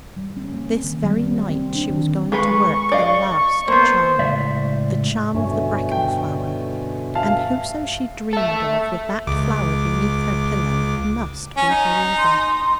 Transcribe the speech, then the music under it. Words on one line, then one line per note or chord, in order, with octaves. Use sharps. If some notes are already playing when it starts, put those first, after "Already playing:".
This very night she was going to work the last charm--the charm of the bracken flower--and whoso she dreamed of with that flower beneath her pillow must be her lover.
G3
C#4
A#3
C4
D#3
G3
C4
C4
D4
D#3
G#3 B4 B5 C#6
D5 D#5 F5
A#3 B3 C5
C#2 A2 D5 E5
G2 B2 D3 A3 C#4
G5
E5 F5 A5
A4 E5
C#2 D6
C#4 G#5
D#4
C6